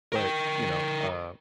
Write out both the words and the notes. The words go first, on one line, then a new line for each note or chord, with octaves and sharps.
but, you know, a
A#4 G5